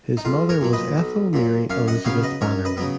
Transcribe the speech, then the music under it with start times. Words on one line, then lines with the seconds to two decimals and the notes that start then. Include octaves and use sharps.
His mother was Ethel Mary Elizabeth Bannerman.
0.17 D#4
0.25 B1 F4
0.49 A#4 C#5
0.61 A#2 F#3
0.73 B4 D#5
0.97 B1
1.33 A#2 F#3
1.70 F#2 C#5 F5
1.88 D#5 F#5
2.05 C#3 F#3 B3 C#5 F5
2.23 B4 D#5
2.41 F#2 A#4 C#5
2.65 B4 D#5
2.77 C#3 F#3 B3